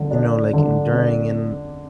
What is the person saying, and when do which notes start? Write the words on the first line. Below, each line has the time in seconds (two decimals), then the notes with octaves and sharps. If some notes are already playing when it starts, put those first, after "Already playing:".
you know, like, enduring and
Already playing: D3
0.11 D4
0.53 D3
0.94 D4